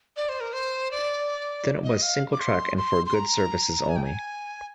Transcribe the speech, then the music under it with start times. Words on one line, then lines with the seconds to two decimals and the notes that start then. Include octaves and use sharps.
Then it was single track and for goods services only.
0.17 D5
0.29 C5
0.40 A#4
0.53 C5
0.91 D5
1.84 D#5
2.02 F5
2.32 D6
2.40 C6
2.77 C6
3.06 C6
3.14 A#5
3.89 G#5
3.96 G5
4.04 G#5